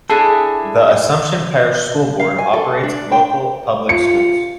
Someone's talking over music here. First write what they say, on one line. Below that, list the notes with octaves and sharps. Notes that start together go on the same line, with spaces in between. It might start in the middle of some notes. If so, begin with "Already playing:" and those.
The Assumption Parish School Board operates local public schools.
D4 E4 G#4 A4
F5
G#5
A4
D4
G5
F4 C#7